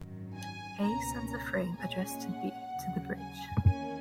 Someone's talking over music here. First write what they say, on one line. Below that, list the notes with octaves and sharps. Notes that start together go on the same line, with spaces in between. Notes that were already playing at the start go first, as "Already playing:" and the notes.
A sends a frame addressed to B to the bridge.
Already playing: G#1 F#2 D#3 F#3
G#5
C#2 B2 A#3 C#4 A#5
A#5
A#1 A#2 G#3 C#4 G#5
F#5
D#2 C#3 F#3
G#5
E2 D#3 A#3 C#4 G#5